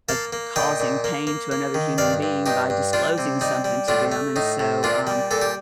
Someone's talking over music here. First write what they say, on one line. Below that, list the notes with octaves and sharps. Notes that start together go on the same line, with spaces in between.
of causing pain to another human being by disclosing something to them and so, um,
A#3 F5 A5
A#3
A#2 D#5 G5
A#2
A#3
A#3
A#3
D#3
G2 D5 F5
G2
G2 D#4 G4
G2
G3 D4 F4
C3
G3 D#4
G3
A2 D4 F4
A3
A2 D#4
A2
A#2 D4 F4
G3
A#2 A4
G4